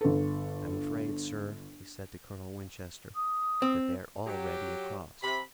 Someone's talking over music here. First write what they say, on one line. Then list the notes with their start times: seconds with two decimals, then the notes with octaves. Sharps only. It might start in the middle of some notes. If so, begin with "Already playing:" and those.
"I'm afraid, sir," he said to Colonel Winchester, "that they're already across."
0.01 G1 A4
3.15 D#6
3.62 C4
4.27 F#3 G4
5.22 C3 B5